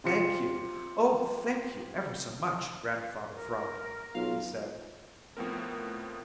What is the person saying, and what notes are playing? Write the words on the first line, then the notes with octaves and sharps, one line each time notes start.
"Thank you, oh, thank you ever so much, Grandfather Frog," he said.
C3 F4 C#7
A#4
B1 F4 F5
A2 F3 B3 C4 A#4